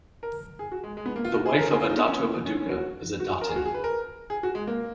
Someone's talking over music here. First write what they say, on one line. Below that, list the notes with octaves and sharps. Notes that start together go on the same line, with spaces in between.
The wife of a Dato Paduka is a "Datin".
A#4
G#4
F#4
G#3
G#3
B3
A#3
F4
F#4
G#4
A#4
G#4
F4
D#4
B3
C#4
C#4
C#4
F#4
F#4
A#4
G#4
F#4
G#4
B4
A#4
G#4
F#4
G#3
A#3